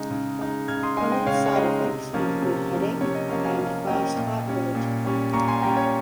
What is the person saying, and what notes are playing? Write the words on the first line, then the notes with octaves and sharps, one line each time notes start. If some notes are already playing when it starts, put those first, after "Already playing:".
Common side effects include headache and fast heart rate.
Already playing: C#3 G#3 D#4
C#3
G#3 D#4
C#3 F6 G#6
C6 D#6
G#3 D#4 G#5 C6
D#5 G5
C#3 C#5 F5
C#5
G#3 D#4 D#5
C3
F3 A#3 C#4
C3
F3 A#3 C#4
C3 C#5
D#5
F3 A#3 C#4 C#5 F5
F5 G#5
C3 C#5 F5
F3 A#3 C#4 D#5 G5
A#2
G3 C#4
A#2
G3 C#4
A#2 A#5 C#6
G#5 C6
G3 C#4 G5 A#5
C#5